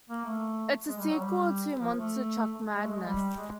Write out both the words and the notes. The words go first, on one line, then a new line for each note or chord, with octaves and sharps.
It's a sequel to "Monster Truck Madness".
A#3
A3
G#3
G3
F#3
G3
F3
A3
G#3
A3
G#3
G3
G#3